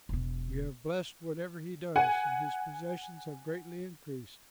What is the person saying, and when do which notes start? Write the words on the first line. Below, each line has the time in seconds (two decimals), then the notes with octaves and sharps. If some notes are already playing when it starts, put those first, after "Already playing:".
You have blessed whatever he does, and his possessions have greatly increased.
0.09 E1 B2
1.96 F#5 G#5